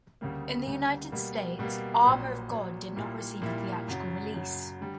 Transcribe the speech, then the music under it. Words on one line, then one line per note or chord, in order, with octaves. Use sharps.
In the United States, "Armour of God" did not receive a theatrical release.
D2 C#3 G3 A#3
D2 C#3 G3 A#3
B2 G3 A#3
B2 G3 A#3
A#1 A#2 F#3
A#1 A#2 F#3
A#2 G3 A#3 E4
A#2 G3 A#3 E4
F#2 C#3 F#3
F#2 C#3 F#3
D3 G3